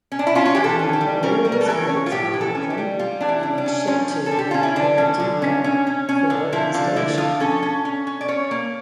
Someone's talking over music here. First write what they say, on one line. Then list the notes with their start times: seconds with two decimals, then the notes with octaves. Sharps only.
The memorial was built in Auckland and then shipped to Hokitika for installation.
0.12 C#4
0.19 D4
0.27 E4
0.35 C#4 F4
0.45 F4
0.55 E3 G4
0.64 A4
0.79 C#4
0.93 G4
1.01 G3
1.23 C#4 A#4
1.45 G3
1.52 A#4
1.61 A4
1.68 E3 A#4
1.81 C#5
1.89 C#4
2.06 F4
2.11 A2 G4
2.34 E3
2.41 A4
2.55 C#4
2.70 G4
2.78 G3
2.99 G3 F4
3.21 E3 D4
3.29 E4
3.43 G3
3.58 D4
3.66 C#4
3.87 F3 C#4
4.10 C#4
4.26 A4
4.31 D3
4.39 G4
4.51 C#4 F4
4.63 E4
4.76 D3 D4
4.98 C#4
5.19 D3
5.42 C#4
5.64 C#4
5.87 C#4
6.09 C#4
6.30 D3
6.52 F3 E4
6.74 D3 F4
6.96 D3 E4
7.18 F3 F4
7.40 C#4 A4
7.63 C#4
7.85 C#4
8.07 C#4
8.21 D5
8.28 C#4 C#5
8.51 A#3